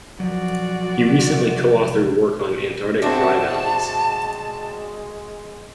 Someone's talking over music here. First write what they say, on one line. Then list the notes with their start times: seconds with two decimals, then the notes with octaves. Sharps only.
He recently co-authored work on antarctic dry valleys.
0.20 F3 F#3 F#4 D5
1.27 C3
3.02 G#3 C4 D4 F#4 E5 A5